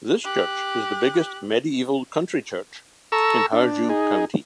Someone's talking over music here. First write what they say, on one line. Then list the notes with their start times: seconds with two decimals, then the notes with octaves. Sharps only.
This church is the biggest medieval country church in Harju county.
0.24 G4 F#6
3.12 A4 A#5 C#6 E6
3.52 D4
3.89 D#4 G#4